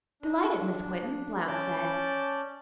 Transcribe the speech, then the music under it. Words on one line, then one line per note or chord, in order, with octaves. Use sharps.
"Delighted, Miss Quinton," Blount said.
D4
C#4 D5 A5 G6